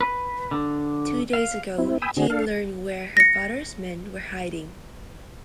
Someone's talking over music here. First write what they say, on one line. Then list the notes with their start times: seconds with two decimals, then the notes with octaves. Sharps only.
Two days ago Jeanne learned where her father's men were hiding.
0.01 B4
0.51 D3
1.33 F5
1.78 C4 E4
2.02 G5 G#5 B5 D#6 E6
2.17 D3 C4 D4 F#4 G#4
2.30 D4 A4 F5
3.17 A#6 C#7